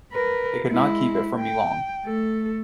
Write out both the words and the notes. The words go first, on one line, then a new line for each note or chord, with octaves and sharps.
They could not keep it from me long.
A#4 B4
G#3 E4
G5
A3 A4